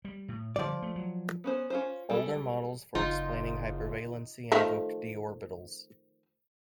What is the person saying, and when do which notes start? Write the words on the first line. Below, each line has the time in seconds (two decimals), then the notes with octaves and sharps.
Older models for explaining hypervalency invoked "d" orbitals.
0.05 G3
0.28 A2
0.56 D3 F3 G3 D5
0.82 A3
0.96 F#3
1.44 B3 C#4 C5
1.70 C#4 F4 C5
2.10 G3 G#3 A4
2.95 F#1 D#4 F4
4.52 D#3 F3 A3